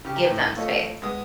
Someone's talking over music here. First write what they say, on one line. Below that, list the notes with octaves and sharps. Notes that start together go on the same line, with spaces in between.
Give them space.
C#3 G4
G5 A#5
A2
A3 F4 A4 C#5 D#5
G#3 B3 D#6